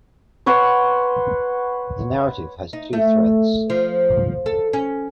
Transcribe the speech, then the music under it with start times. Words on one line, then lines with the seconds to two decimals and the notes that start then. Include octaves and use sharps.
The narrative has two threads.
0.46 B4 C#5 F#5 C6
2.73 D#4
2.93 A3
3.70 F3
4.46 A4
4.73 C#4